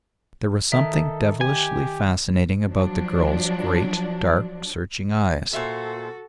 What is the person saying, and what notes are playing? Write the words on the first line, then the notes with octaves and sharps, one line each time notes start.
There was something devilishly fascinating about the girl's great, dark, searching eyes.
D#3 A4 E5
G4 G#5
F3 F#3 D4
A#2 F#4 A4 C5 E5